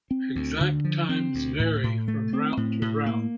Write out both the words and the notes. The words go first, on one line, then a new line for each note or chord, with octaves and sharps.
Exact times vary from route to route.
C4
D2
D3
F3
C4
D2
A2
A2
A3
C4
A2
A2
A#3